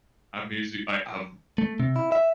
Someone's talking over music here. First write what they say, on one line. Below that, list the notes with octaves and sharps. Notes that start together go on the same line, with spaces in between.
I musi I I've
A3
C3
E4
E5